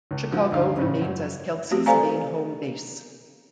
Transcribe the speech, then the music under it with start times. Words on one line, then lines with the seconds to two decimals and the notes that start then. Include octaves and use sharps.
Chicago remains as Kelsey’s main home base.
0.11 C#2
0.32 F3 F#4
0.52 D2 G2 D#4 F4 F5
0.77 A2 C#3
1.02 F#2
1.71 A3 C4 F#4 G4
1.86 A4 C5 D5 F5 G#5 A#5